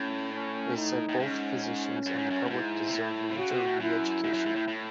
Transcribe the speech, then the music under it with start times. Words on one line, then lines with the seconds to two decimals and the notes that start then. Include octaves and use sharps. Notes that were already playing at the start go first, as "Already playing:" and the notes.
They said both physicians and the public deserve major re-education.
Already playing: A2 C#4
0.32 C#4
0.76 D#4
1.09 A2
1.19 G#2 C#4
1.63 C#4
2.06 F#2
2.18 G#2
2.30 F#2
2.45 A2
2.50 G#2 E4
2.87 C3
2.93 A2
3.29 C3
3.37 C#3 F#4
3.51 C3
3.65 A2
3.80 F#2 E4
4.24 G#2
4.34 F#2
4.46 G#2
4.56 A2
4.68 A2